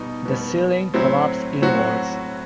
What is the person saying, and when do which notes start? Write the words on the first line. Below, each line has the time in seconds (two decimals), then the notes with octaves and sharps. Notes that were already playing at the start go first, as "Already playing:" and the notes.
The ceiling collapsed inwards.
Already playing: B2 G3 B3 D#4
0.25 B2 G3 B3
0.94 A2 F#3 C4 E4
1.62 A2 F#3 C4 F#4